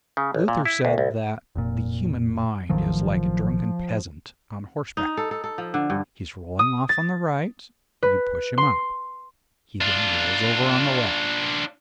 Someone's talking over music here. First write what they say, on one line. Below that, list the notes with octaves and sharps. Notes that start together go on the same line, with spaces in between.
Luther said that the human mind is like a drunken peasant on horseback: he is rolling off on the right, you push him up, he then rolls over on the left.
C#3
A1
A#2
E4
D2
C2
F1 A#2
A1 D#3 F3 F#3
D#4
A4
A4
A4
F3
D3
G2
D#6
A6
B4
C6
D4 F4